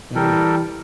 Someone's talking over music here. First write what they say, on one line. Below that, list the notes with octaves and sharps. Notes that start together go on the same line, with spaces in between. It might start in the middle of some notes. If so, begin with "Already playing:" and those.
that is.
E3 G3 A4 A#4 G5